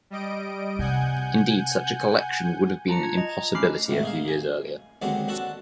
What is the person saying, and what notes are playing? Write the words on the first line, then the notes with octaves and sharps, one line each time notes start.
Indeed such a collection would have been an impossibility a few years earlier.
G3 D#5 D7
C3 F#5 G#5 G6
F4 A5 A#5 C#7
G#6
D#5 A#5
A3 C#4 B5 D6 F6 C7
C2 G#2 D#3 A3
D#4 G#4 F5
G#5
D#2 D3 F#3 G#3 C4
D4 F#4 A4 A5